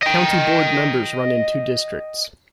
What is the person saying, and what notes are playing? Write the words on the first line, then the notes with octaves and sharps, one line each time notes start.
County Board members run in two districts.
D#5 G5